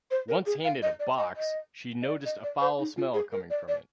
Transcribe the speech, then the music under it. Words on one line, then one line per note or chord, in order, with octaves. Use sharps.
Once handed a box, she noticed a foul smell coming from it.
C5
A#4
G#4
F5
D#5
D5
D#5
D#5
D#5
D5
D#5
D5
C5
D#4
F4
G#4
A#4
D5
D5